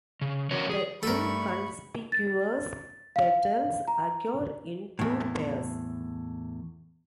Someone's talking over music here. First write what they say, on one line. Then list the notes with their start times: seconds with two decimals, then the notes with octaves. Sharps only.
The inconspicuous petals occur in two pairs.
0.21 C#3
0.51 E3 C#4 F#4 A#4 C#5
0.70 G#4
1.03 G2 A3 A4 A#4 B5 C#6
2.12 A6
3.16 F5
3.88 A#5
4.99 E2 A2